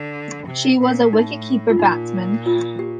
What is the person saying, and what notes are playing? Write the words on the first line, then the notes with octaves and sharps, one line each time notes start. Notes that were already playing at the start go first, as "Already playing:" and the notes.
She was a wicketkeeper batsman.
Already playing: D3
C3
A#2
A2 D#4
F4
A#2 D#4
F4
G4